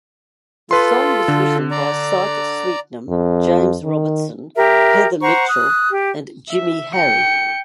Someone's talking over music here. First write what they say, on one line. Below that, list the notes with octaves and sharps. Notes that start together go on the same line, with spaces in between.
The song was written by Syke Sweetnam, James Robertson, Heather Mitchell, and Jimmy Harry.
F4 A4 B4 C6
D3
D5 A#5
F2
D#3
G4 A#4 E5
C5 F#5 A#5 C#6
D#6 F#6
G4
E5
G5 C#7